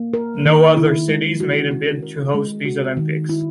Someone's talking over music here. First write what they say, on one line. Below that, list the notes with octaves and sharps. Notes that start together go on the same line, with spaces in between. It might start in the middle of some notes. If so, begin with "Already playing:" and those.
No other cities made a bid to host these Olympics.
Already playing: A#3
A#4
D#3
E4
G#3
F#4
C#4
A#4
G#3
F#4
D#3
E4